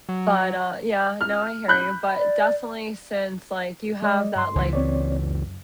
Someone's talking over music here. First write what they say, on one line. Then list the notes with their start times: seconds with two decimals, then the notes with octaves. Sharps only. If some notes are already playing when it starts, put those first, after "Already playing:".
But, uh yeah, no I hear you. But definitely, since, like, you have that, like
0.09 F#3
1.21 F6
1.68 B5 F#6 G6
2.18 D5
4.02 G#3 D5 D#5
4.36 G2 C6
4.56 C#2 E3
4.73 C4 C#5 D5
5.22 F#2